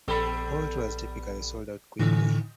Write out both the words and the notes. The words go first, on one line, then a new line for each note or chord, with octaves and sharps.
All tours typically sold out quickly.
A#1 G3 B3 A4 B5
A2 D3 D#3